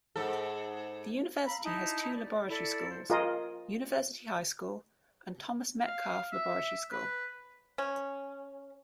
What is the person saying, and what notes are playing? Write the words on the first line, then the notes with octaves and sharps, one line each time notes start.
The university has two laboratory schools: University High School and Thomas Metcalf Laboratory School.
G#2 A4
F5 A#5 B5 E6
D#4 E4 A5
D5
E4 A4 D5
C5
F4 G#4 A#4 D#5
F5
E5
B4
C#4